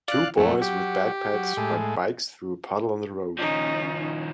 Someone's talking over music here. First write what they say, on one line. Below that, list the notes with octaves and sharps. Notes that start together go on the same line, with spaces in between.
Two boys with backpacks ride bikes through a puddle on the road.
D5 F5 F#6
F2 F#3 A3
G4
F#3
A2 G#3
D#3 F3 C#4 D#4